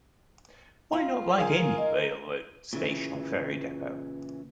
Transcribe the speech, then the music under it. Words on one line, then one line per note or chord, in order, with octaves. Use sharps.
Why not like any railroad station or ferry depot.
F4
G#4 A#4 F5 G#5
D#5
A#2 C#3 E3